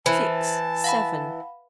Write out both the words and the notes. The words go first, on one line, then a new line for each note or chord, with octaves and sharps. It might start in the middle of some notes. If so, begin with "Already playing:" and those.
Six! Seven!
E3 C5 A5 B5
F5 F#5 B5